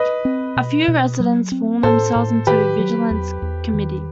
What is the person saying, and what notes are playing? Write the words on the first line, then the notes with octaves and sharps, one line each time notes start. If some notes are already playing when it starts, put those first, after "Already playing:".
A few residents formed themselves into a vigilance committee.
Already playing: B4 D#5
C4
B2
B2
F#3
C4
A2 A4 C5
A2
D#3 G4 B4
F#3
E2
E2
D#3